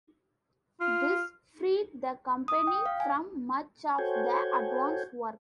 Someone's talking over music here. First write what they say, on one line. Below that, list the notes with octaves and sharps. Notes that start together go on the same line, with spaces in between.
This freed the company from much of the advance work.
F4 F6
D#6
G5
F5
G#5
F#4 A4 C5 C#5 G5 G#5